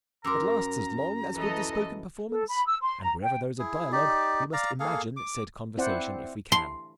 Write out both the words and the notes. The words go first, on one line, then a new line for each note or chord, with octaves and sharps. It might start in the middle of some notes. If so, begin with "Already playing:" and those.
It lasts as long as would the spoken performance, and wherever there is a dialogue we must imagine said conversation if we can.
F#2 A#4 A#5 C6 D6 E6
E3 A4 D#5
A4
B5
E6
C6
A#5
G5
E4 G#4
D#4 G4 D5
D5 F5 A#5
A#3 G#4 A4 F5
D6
C4 E4 C5 D5 F#5
C6